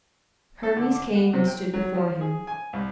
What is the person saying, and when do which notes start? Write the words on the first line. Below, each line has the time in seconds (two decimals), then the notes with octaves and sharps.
Hermes came and stood before him.
0.63 A4
0.76 D3
0.91 D6
1.14 F#5
1.33 C3
1.47 G5
1.73 F#3
1.94 F3
2.21 G#4
2.47 G#5
2.73 C2